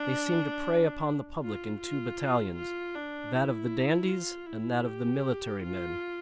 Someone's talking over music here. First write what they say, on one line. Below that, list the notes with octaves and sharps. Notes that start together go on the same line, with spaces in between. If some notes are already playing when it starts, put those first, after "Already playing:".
They seem to prey upon the public in two battalions--that of the dandies and that of the military men.
Already playing: D4
F4
F4
F4
D4
E4
F4
E4
G4
F4